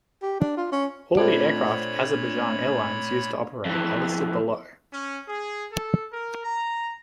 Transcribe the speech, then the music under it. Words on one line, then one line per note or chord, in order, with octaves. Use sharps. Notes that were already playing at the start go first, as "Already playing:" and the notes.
All the aircraft Azerbaijan Airlines used to operate are listed below.
G4
D4
F4
C#4
A#2 A3 C4 D4 F4 A4 C#5 B5
F2 E3
C#4
G#4
A4
A#4
A#5